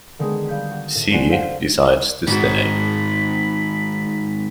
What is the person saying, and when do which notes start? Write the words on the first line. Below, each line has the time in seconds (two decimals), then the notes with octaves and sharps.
She decides to stay.
0.19 D3 D#3 G#3 B3 G#4
0.47 G3 F5 G6 B6
0.71 F#4
0.95 A2
1.11 D4 F#4 C5 D5 F#5 G#5
1.29 A4 C5 F5 F#5
2.27 G#2 D#3 G#3 F#4 B5